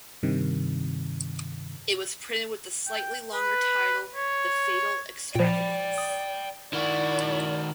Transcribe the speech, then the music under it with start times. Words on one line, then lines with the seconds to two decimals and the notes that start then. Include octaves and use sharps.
It was printed with the slightly longer title The Fatal Extravagance.
0.23 G2 C3 D#3
2.87 G5
3.32 B4
4.15 C#5
5.35 A#2 F3 D5 G5 B5
5.98 D#6
6.73 D#3 E4 F#4 D5